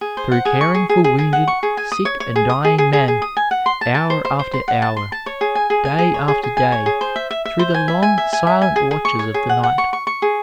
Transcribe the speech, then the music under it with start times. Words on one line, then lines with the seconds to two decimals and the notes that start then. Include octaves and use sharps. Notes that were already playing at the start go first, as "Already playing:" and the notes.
Through caring for wounded, sick and dying men, hour after hour, day after day, through the long, silent watches of the night.
0.01 G#4
0.17 C5
0.31 F#5
0.45 G#4
0.61 C#6
0.75 G#4
0.89 G#4
1.04 G#4
1.19 G#4
1.33 F#5
1.48 C#6
1.63 G#4
1.77 G#5
1.92 D#6
2.05 C#5
2.20 C#5
2.36 G#4
2.49 D#6
2.65 G#4
2.78 G#4
2.93 G#4
3.08 G#4
3.22 D#6
3.37 G#5
3.51 F#5
3.66 C6
3.81 A5
3.95 A5
4.10 C5
4.25 C5
4.39 C5
4.53 C6
4.68 F#5
4.82 A5
4.97 C6
5.12 A5
5.26 C#5
5.41 G#4
5.55 G#5
5.70 G#4
5.85 G#5
5.99 G#4
6.14 C#5
6.28 G#4
6.43 G#4
6.57 G#5
6.72 C#5
6.86 G#4
7.01 C5
7.16 E5
7.31 E5
7.45 E5
7.59 C5
7.74 G#5
7.88 E5
8.02 G#5
8.18 E5
8.33 G#5
8.47 E5
8.62 G#5
8.76 G#4
8.91 G#4
9.05 C#6
9.19 C#5
9.34 G#4
9.49 F#5
9.63 F#5
9.78 C#6
9.93 C#6
10.07 C#6
10.22 G#4